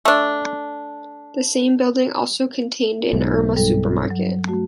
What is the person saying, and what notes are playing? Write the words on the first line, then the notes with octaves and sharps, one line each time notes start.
The same building also contained an Irma supermarket.
A3 D4
B1 G#2
G2 G3 A4
F#3
A3 F#4